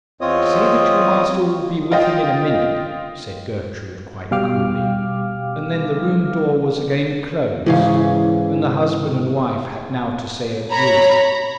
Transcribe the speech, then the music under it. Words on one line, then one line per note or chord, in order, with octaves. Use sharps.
'Say that your master will be with him in a minute,' said Gertrude, quite coolly; and then the room door was again closed, and the husband and wife had now to say adieu.
E2 C4 F4 C#5 D#5 D#6
F4 D#5 G5
B2 G3 F5 G5 D6 F6
G#2 C#3 E3 F5
C#5 A#5 B5